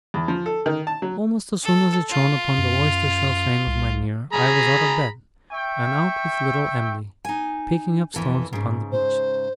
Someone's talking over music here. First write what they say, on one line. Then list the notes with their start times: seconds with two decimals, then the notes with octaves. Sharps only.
Almost as soon as it shone upon the oyster-shell frame of my mirror I was out of bed, and out with little Em'ly, picking up stones upon the beach.
0.14 E2
0.28 F3
0.46 A4
0.66 D#3
0.87 A5
1.02 F#3
1.64 A4
2.11 F4
2.58 F#2
3.67 C2
4.33 G#4 A#5 B5
5.53 E5 G5 C#6
7.25 D#4 G#5
8.14 F2 E3 A4
8.53 G#2 C#3
8.92 C5